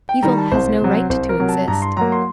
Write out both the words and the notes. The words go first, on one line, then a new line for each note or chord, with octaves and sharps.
Evil has no right to exist.
G5
D#3 G3 A#5
A5
C2 C5
C3 F#3
C2 C5
A#4
C3 F#3
A5
G2 A#5
C6
F#3 A#3 A#5
C6